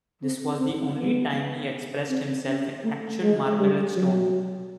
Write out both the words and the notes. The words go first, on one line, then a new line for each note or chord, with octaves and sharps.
This was the only time he expressed himself in actual marble and stone.
C4
C4
B3
C4
C#4
A3
G#3
G3
F#3